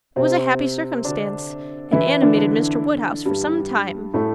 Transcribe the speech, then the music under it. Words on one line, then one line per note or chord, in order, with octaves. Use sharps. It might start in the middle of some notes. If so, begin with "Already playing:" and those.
It was a happy circumstance, and animated Mr. Woodhouse for some time.
C3 C4
D3 D4
E3 E4
D3 D4
D3 D4
G2 G3
A2 A3